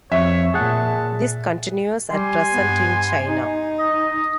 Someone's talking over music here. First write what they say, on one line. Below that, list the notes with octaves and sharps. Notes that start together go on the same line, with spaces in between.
This continues at present in China.
F2 C#5 E5
A#2 G#4 F#5 A5
G3 G#5 C6
G2 B3
D#4
D#5